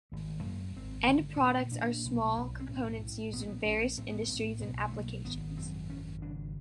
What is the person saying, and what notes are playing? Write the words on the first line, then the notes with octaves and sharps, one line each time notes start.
End products are small components used in various industries and applications.
G#1 A3
F#2 A#3
G#1 C4
D3
A#2 C#4
A#2 D4
B1
B1
C4
A2 C#4
A2
A#1 B3
C4
B3
A#1 C#4
A2 C4
B3
C4
A2
B1 B3
A3
B1 A#3
G#1 B3
F#2 C4
G#1 C#4
C#3 D4